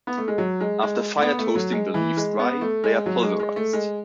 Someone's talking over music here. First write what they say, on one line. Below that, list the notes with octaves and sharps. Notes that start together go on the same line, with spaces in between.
After fire-toasting the leaves dry, they are pulverized.
B3
A3
G#3
F#3
G#3
G#3
A3
B3
A3
F#3
G#3
E3
G#3
B3
A3
G#3
F#3
G#3
G#3
A3
G#3